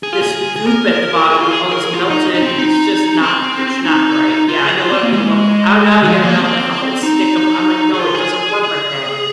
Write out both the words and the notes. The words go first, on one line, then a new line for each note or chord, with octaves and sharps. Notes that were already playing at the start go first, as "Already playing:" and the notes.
this goop at the bottom with all this melted it's just not it's not right, yeah, I know a lot of people go, "Oh, no, you gotta melt, like, a whole stick of" I'm like, "No, it doesn't work like that."
G#4
F4
G#4
G#4
A#4
G#4
F4
G#4
A#4
G#4
F4
F4
D#4
D#4
C4
D#4
C4
D#4
F4
G#4
F4
C4
A#3
G#3
D#3
F3
A#3
C4
D#4
G#4
F4
G#4
G#4